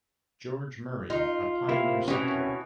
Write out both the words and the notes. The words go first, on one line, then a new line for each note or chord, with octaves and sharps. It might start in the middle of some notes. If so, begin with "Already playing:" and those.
George Murray, a pioneer settler.
D#4 F4
C3 A#3 E4 F5
B2 E3 C#4 C#5